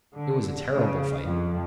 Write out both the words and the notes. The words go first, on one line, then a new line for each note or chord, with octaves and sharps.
It was a terrible fight!
D3
C#3
F2